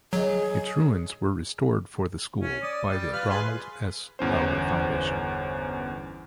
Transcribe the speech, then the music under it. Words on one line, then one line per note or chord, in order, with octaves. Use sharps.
Its ruins were restored for the school by the Ronald S. Lauder Foundation.
F#3 G#4 C#5 D#5
C#4
D5 D#6
G3 D5
F4 B4 F6
G#4 B4 C6
G1 E2 C#4 C5